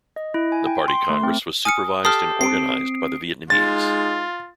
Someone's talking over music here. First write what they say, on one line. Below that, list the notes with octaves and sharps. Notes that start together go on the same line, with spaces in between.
The Party Congress was supervised and organized by the Vietnamese.
D#5
E4
G#5
G5
C6
A3
C4
G#5 D#6 F6 C#7
G4 A4 D#6 F6 C7
C4 C7 D7
G#3 D#4 F4 A6